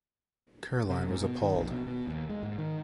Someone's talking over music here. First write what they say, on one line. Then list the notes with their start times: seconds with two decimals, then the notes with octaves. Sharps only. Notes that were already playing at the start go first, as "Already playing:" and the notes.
Caroline was appalled.
0.89 C3
1.09 G#2
1.21 B2
1.42 D#3
1.56 A#1
1.71 B2
1.87 B2
2.07 D#2
2.30 G#3
2.43 G#2
2.58 D#3